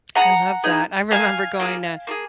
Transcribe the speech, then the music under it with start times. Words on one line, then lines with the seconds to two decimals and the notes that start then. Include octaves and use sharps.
I love that. I remember going to,
0.15 B3 D#4 G#4 F#5 A#5
0.64 B3 D#4 G#4
1.11 A#3 F4 F5 G#5
1.16 G#4
1.60 A#3 F4 G#4
2.07 A#3 F4 G#4